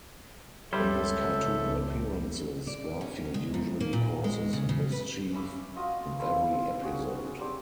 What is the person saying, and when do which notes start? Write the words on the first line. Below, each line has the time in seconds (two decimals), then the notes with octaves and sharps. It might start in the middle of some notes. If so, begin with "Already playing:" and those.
In his cartoon appearances, Garfield usually causes mischief in every episode.
0.73 C#2 G3 A4 C#5 E5 C6
2.67 D5
3.01 C#4
3.34 G#3
3.54 F#2
3.80 A#3
3.93 A#2
4.24 G#3
4.53 C#3
4.69 C#3
4.92 B4
5.33 C#4 E5 B5 D6
5.76 F4 F#4 D#5
6.19 C4 E4 A4 F5
6.82 C#4 F#4 G#4
7.39 G3 C4 D4 D6